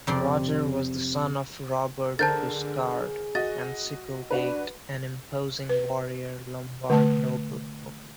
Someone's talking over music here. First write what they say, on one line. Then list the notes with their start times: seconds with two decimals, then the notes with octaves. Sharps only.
Roger was the son of Robert Guiscard and Sikelgaita, an imposing warrior Lombard noblewoman.
0.07 F2 C3 D5 C6
2.19 D3 G#4 A#4 C5 A5 G6 A6
3.35 F#4 D#5 A6
4.31 D4 F#4 B4
5.69 B4
6.90 D3 A3 A5